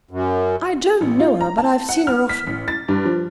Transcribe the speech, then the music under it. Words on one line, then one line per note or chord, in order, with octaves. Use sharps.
I don't know her; but I have seen her often.
F#2
A1
F4
A#5
A5
F#5
F6
B6
A1
A6
G2
F3